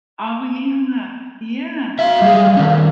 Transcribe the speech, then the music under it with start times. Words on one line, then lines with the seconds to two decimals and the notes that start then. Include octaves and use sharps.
Oh, yeah. Yeah.
1.99 F#4 E5 F5
2.22 G3 G#3 G#4
2.57 D#3 C#4